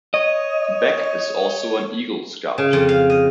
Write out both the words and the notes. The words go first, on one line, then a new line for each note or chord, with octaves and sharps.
Beck is also an Eagle Scout.
C#5 D#5
C#3
F2
F5
D#5